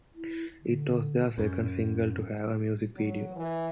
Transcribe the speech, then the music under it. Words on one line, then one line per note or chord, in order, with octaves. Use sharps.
It was their second single to have a music video.
E4
D3
F#2
F#3
E3